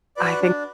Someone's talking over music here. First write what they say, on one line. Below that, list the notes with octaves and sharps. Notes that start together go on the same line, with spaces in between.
I think
F#4 B4 D5
D4